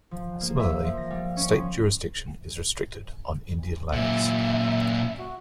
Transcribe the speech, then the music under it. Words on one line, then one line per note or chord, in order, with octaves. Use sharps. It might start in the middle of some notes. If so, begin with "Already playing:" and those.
Similarly, State jurisdiction is restricted on Indian lands.
F3
A#3
E5
F3
A#6
G3
C#4
F3
F#2 A#2 E5
F#4